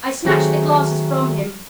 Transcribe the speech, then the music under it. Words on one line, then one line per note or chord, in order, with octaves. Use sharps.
I snatched the glasses from him.
D#3 F#3 A3 C4 G4 G#4